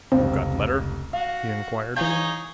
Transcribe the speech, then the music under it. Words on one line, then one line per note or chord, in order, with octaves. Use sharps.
"You got letter?" he inquired.
F1 C#2 C4
F#4 F5
E3 D#4 G#4 C#5 F5 G6